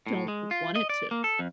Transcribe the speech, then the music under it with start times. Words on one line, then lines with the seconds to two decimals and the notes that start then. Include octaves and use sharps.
don't want it to.
0.06 A2
0.28 G#3
0.51 F4
0.76 D#5
0.89 D5
1.11 A#3
1.24 A4
1.39 F2